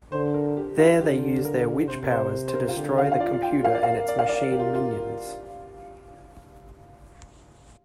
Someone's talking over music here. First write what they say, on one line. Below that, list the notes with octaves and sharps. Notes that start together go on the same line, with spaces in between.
There they use their witch powers to destroy the computer and its machine minions.
D3 C5
A#4
G4
F4
D3 G4
A#4
C3 C5
A#4
C5
C5
A#4
F4
D3 G4
F5
F5
F4 D5
G5
A#4 F5
D5
F5
D5
F5
D5
G4
F4
F4